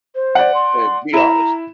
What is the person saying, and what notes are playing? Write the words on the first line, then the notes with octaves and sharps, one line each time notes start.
Like, be honest.
C5
D5 F#5
C6
E4 A#5 E7